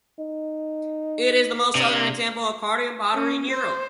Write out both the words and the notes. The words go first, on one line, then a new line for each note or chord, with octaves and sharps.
It is the most southern example of Cardium pottery in Europe.
D#4
C3 D4
C#4
C5